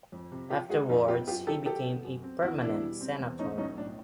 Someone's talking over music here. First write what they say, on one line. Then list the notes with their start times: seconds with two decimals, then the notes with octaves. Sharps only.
Afterwards he became a permanent senator.
0.12 F2
0.32 C3
0.50 F3 F4 G4
0.69 G#3 F#4 G#4
0.89 F2 D#4 F4
1.08 B3 F4 G4
1.27 F#2 F4 G4
1.47 D#3 G4 A4
1.66 F#3 G4 A4
1.85 B3
2.04 F#2
2.23 C4
2.42 E2 E4 F#4
2.61 B2 D4 E4
2.81 G3
3.01 C4
3.20 E2
3.39 A3 C#4 D#4
3.58 B1 C#4 D#4
3.77 A2 D4